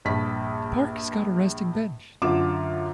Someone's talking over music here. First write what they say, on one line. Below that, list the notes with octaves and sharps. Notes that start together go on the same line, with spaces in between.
The park has got a resting bench.
A#1 G2 A5 B6
F#2 D3 F4 D6 E7